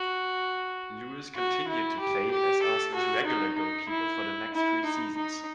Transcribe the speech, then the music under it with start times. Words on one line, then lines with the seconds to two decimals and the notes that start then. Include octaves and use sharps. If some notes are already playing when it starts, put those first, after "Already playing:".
Lewis continued to play as Arsenal's regular goalkeeper for the next three seasons.
Already playing: F#4
1.36 F#4
1.68 E4
1.99 G4
2.31 G4
2.62 A4
2.95 F#4
3.26 D#4
3.58 D#4
3.90 E4
4.54 E4
4.85 D#4
5.17 D#4